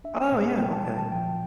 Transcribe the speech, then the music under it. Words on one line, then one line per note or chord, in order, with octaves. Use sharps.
Oh, yeah. Okay.
D4 E5
A#2
G3 G5
A5
A#2 A5
A5
F3 G5